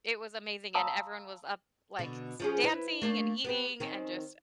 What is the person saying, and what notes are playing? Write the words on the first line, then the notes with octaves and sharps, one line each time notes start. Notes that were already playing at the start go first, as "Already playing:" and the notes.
it was amazing, and everyone was up, like, s dancing and eating and just,
F5 A5 A#5 C6 D#6 E6
B2 D3
F3 C#4 G#4
E4 B4
A3 A#3 D4
B3 G4 B4
D#3 C4 C#4